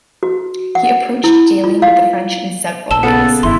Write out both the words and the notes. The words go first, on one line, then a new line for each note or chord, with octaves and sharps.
He approached dealing with the French in several ways.
F#4
F#5
E4
F4
F5
A#1 A5 E6 G7
C#3 B3 A4 F#5
F1 G2 D#3 E4 C6